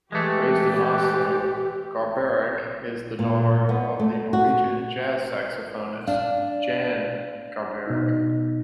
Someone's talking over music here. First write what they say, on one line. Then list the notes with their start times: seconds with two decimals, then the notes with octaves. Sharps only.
Raised in Oslo, Garbarek is the daughter of the Norwegian jazz saxophonist Jan Garbarek.
0.12 E3 G#3 A3 G4
3.19 A#2
3.69 B3
4.00 A3
4.33 F#4
6.07 D4 F5
7.87 B2 D#4